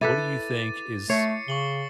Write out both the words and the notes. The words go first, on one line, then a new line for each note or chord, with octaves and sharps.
what do you think is
E4 A4 B4 D6 A6 D#7
A3 C#5 C7 C#7
C#3 C#6 F#7 G7